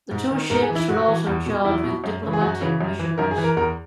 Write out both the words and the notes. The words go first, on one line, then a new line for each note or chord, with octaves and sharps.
The two ships were also charged with diplomatic missions.
G#2
D#3
G#2 A#4
G#4
E3
E4
G#2 F#4
E3
E2
B2
E2 E4
B2
F#2
C#3 E3
G#4
F#2 F#4
C#3 E3
F#2
E3
F#2 A#4
G#4
E3
A#4
E2 A#4